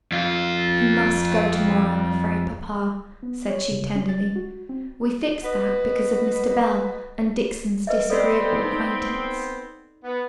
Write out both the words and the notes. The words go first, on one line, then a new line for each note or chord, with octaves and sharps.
'He must go to-morrow, I'm afraid, papa,' said she, tenderly; 'we fixed that, because of Mr. Bell, and Dixon's disagreeable acquaintance.'
F2 F4
B3
C#5
C#3
C#4
A6
G#3
F#4
C4
F#4 B4 D#5
B4 D#5 E5
B3 C4 A4 D5
D#4
B3